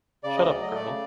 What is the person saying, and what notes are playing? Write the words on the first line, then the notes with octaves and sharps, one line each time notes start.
Shut up, girl!
C#3 D5
D2 D#5
F#3 D5
D#5
A3
D5
C#3